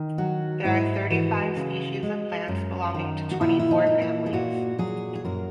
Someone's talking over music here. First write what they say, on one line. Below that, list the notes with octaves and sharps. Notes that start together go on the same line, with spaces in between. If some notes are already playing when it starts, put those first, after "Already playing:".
There are thirty five species of plants belonging to twenty four families.
Already playing: D#3
F#3 F#4
G#2 E4
E3 F#4
C#3
G#3
F#2
D#3
F#4
A#2 E4
E4
D#4
A#3
E4
G#4
A#2 F#4
F#3 G#4
G#4
F#2 A#4